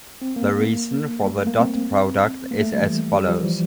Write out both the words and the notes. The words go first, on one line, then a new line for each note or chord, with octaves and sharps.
The reason for the dot product is as follows.
C4
A#3
G3
A3
A#3
C4
A#3
A3
G3
E3
G3
F3
E3